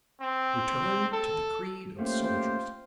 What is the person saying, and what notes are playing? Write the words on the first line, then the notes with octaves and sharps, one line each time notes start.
He returned to the creed of soldiers.
C4
A4
A3 A#3 C#4 F4 G4 C5